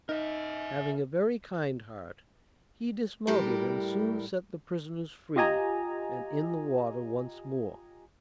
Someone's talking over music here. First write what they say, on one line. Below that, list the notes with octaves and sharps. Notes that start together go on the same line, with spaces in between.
Having a very kind heart he dismounted and soon set the prisoners free, and in the water once more.
D#4 A#4 E5
A2 G3 G4 A#4
F4 G4 D#5 G#5 A#5